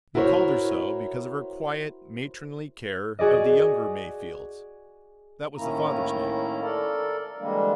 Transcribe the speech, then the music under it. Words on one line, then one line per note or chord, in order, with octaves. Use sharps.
They called her so because of her quiet, matronly care of the younger Mayfields--that was the father's name.
E4 F#4 A#4 C5 C#5
F#4 G#4 D5 D#5
A2 D#3 A#3 C#4 E4 A#5
A4 A#4 D5
D3 E3 G3 G#3 A#3 D4